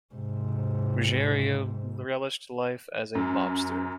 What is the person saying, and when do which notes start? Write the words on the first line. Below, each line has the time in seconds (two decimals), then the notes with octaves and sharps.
Ruggiero relished life as a mobster.
0.15 G#2 C3
3.15 F#2